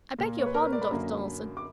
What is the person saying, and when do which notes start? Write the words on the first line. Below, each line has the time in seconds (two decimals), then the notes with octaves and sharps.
'I beg your pardon, Dr. Donaldson.
0.18 A#2 A#3
0.39 C#5
0.46 B4
0.54 A#4
0.63 B4
0.73 D5
0.82 B5
0.91 F#2 D3 F#3 A#3
1.57 D6